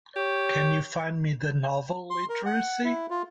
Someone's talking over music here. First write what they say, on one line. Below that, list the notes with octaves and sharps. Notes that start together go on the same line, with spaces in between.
Can you find me the novel, Literacy?
G4 C#5
C6
A#4
F#5
E4
F4